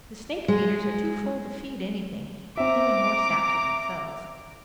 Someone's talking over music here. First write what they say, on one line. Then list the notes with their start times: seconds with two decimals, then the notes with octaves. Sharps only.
The snake-feeders are too full to feed anything--even more sap to themselves.
0.48 G#3
2.57 C4 E5 A#5 D6